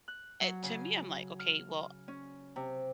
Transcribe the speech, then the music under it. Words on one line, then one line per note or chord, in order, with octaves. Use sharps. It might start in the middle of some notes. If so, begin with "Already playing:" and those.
eh, to me, I'm like, "Okay, well"
F#6
F#3
C#3
F6
C#4
C3